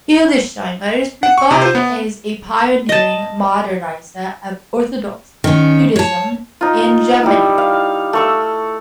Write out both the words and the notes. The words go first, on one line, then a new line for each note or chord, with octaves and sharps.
Hildesheimer is regarded as a pioneering "Moderniser" of Orthodox Judaism in Germany.
F#5
C#6
C3
C5
B3
D#5 A5
D#3 C#4
C#5 A5
D#4 F4
G3 D#4 E4
F5
A3 C#6 E6